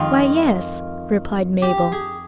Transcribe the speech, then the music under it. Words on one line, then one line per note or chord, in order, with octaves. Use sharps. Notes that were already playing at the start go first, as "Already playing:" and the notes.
"Why, yes," replied Mabel.
Already playing: F2 D#3 G#3 D#4 F4
G4
G#4